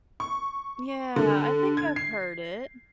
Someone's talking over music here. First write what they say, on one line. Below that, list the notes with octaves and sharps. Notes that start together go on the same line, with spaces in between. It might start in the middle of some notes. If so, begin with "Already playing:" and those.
Yeah, I think I've heard it.
C#6
D3
G#6
C7